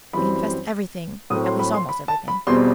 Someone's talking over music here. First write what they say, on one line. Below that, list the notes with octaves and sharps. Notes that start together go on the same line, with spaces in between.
I confessed everything--at least, almost everything.
F#2 E3 G3 C4 B5
A2 F#3 A3 C4 D#6
C6
B5
C6
B5
A5
B5
E2 B2 G3 C4 C6